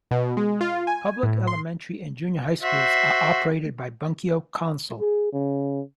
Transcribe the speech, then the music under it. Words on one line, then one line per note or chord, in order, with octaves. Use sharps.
Public elementary and junior high schools are operated by Bunkyo council.
B2
G#3
F4
G#5
A2
C6
F#4 C5 E5
G#4
C#3